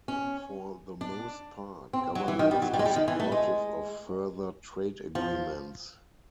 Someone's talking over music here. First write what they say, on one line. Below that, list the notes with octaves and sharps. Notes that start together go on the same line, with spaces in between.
For the most part, governments are supportive of further trade agreements.
C#4
D4
C4
F#3
E3
D#3
G3
F#3
G3
G#3
G3
D#3
E3
A3
G#3
F3